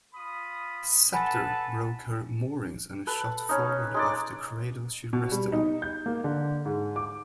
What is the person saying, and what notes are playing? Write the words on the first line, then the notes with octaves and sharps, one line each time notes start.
"Sceptre" broke her moorings and shot forward off the cradle she rested on.
F4 B5 D#6
A4 B4 F#5 G#5 A5 B5
A4 B4
C#4 D#4
G#3 D#4 D5
B2
G3
D#4
G6
A#3
D3
G#2
D6